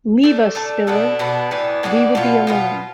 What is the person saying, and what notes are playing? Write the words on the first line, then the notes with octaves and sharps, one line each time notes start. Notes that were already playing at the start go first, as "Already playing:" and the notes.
Leave us, Spiller; we would be alone.
A3 D4 A4
A3 D4 A4
B2 B3 D4 A4
B2 B3 D4 A4
A2 E3 B3 D4
A2 E3 B3 D4
B2 B3 F4
B2 B3 F4